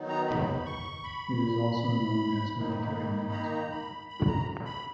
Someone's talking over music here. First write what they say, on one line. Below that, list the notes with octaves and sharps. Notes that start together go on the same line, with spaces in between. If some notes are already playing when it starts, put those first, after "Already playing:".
It is also known as Military Net.
Already playing: D#3 F#3 B3 D#4
A#5
B5
C#6
B5
D#3 A#3 D#4
A#5
B5
B5
A#5
B5